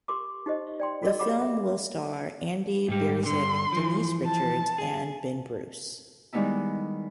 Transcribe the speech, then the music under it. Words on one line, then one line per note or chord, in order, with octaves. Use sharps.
The film will star Andy Biersack, Denise Richards, and Ben Bruce.
G4 A#4 C6 D6
D#4 G4 C5 D#5
D5 G5 C6
F#4 G#4 A#4 D5 D#5
G4 C#5 F#5 B5 D6
E5
G#2 G3 G4
G2 D3 C6
E3 F3
A5
G#4
D#3 G3 G#3 B3 D#4 E4